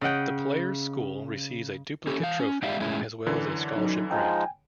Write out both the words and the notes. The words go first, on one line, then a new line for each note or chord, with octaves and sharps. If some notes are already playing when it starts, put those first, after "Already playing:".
The player's school receives a duplicate trophy, as well as a scholarship grant.
C#3 D#5 F#5 G5
C#4 G4 A4
E3 F5
C#4
G#3 D#4 G4 D5 E5 F5
A2 G#3 C#4 E4
F#2 D3 E3
F#3 C#4 D#4
F3 G#3 D#4 G5 G#5